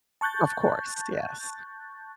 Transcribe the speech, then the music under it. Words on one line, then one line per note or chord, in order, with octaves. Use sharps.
Of course, yes.
A5 C#6 F#6 G6 A6